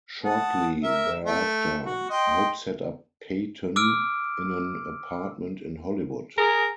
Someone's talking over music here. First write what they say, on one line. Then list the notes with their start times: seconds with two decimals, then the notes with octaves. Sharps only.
Shortly thereafter, Hope set up Payton in an apartment in Hollywood.
0.24 F#5 A5 D#6
0.83 A#4 E5
1.26 A3
1.86 F#4
2.10 D#5 G5 C6
3.76 D6 E6 F6 D7
6.37 G#4 A#4